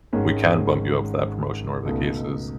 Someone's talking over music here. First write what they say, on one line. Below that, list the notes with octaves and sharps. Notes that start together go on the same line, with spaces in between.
we can bump you up for that promotion," or whatever the case is.
G#1 G#2 D#3 G#3 C#4
C#2 B2 A3 D#4